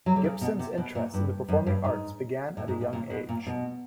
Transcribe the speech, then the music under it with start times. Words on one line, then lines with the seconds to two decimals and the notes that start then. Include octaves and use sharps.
Gibson's interest in the performing arts began at a young age.
0.06 F#3
0.16 D3
0.24 C#3
0.41 B2
0.59 C3
0.78 B2
0.95 A#2
1.14 G2
1.49 F#2
1.66 G2
1.84 G#2
2.57 A2
2.68 G#2
2.81 A2
2.93 A#2
3.10 B2
3.29 A#2
3.47 B2